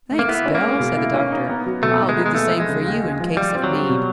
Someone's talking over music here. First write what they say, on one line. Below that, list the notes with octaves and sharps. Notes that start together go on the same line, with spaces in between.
"Thanks, Bell," said the doctor; "I'll do the same for you in case of need."
A3
A#3
B3 E4
C#4
A#3
G#3
B2
E4
C#4
D#4
B3
F#3
B2 A3
D#4
G#3
B3
G#3
D#2 A3
F3
G#3
C#3
D#2
D#2
F3
G3 F4
C4
F#3
G3
B2